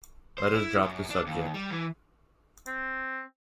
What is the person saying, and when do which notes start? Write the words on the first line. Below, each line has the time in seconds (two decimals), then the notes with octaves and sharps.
Let us drop the subject.
0.38 C5
0.54 E4
0.82 F#2
1.10 D4
1.27 D#2
1.54 G3
1.71 E3
2.67 C4